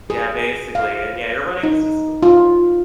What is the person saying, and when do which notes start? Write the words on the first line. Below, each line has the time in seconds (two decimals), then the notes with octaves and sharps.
Yeah, basically, and yeah, you're running this facil
0.10 G#4
0.75 F5
1.63 D#4
2.23 F4